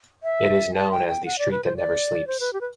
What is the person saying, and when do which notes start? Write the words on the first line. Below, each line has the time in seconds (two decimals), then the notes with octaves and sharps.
It is known as the street that never sleeps.
0.23 E5
0.74 A5
0.91 G5
1.08 G5
1.25 F#5
1.39 D5
1.51 B4
1.64 C5
1.77 D5
2.27 C5
2.40 B4
2.53 G4
2.61 B4